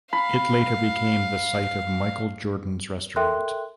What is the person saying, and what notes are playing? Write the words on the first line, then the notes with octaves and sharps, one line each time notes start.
It later became the site of Michael Jordan's Restaurant.
F5 B5
A4 A#4 E5 G5 C6 F#6